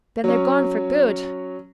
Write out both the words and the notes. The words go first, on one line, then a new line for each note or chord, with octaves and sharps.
"Then they are gone for good."
F#3 C#4